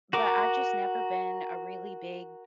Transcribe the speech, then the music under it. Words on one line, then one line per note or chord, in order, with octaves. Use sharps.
But I've just never been a really big
F#4 A#4 D6